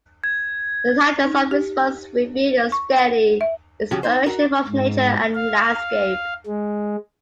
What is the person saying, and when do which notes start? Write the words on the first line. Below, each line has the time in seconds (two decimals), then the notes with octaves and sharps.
The titles of his works reveal a steady inspiration from nature and landscape.
0.24 G#6
1.25 D#4
1.51 G4
2.72 C#6
2.99 F#5
3.41 E5
3.91 C#3 F3 C#4 F#4 G4
4.03 D#4 C5
4.26 F#4 A#4
4.68 G#2
5.35 F5
6.46 G#3